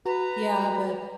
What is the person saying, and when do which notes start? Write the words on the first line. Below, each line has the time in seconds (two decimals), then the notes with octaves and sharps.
Yeah, but
0.06 F#4 B4 A#5